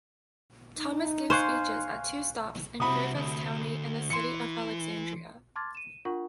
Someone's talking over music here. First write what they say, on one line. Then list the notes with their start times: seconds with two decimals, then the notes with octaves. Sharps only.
Thomas gave speeches at two stops in Fairfax County and the City of Alexandria.
0.76 D#4
1.30 C5 F5 G#5 C6 C#6 F6 F#6
2.80 C2 C3 F#4 B5 D#6
3.15 D2
4.10 E3 C6 C#7
5.56 A5 C6 D6 F6 G#6 A6
5.75 D#7 E7
6.05 D4 F4 A#4 F#5 C#6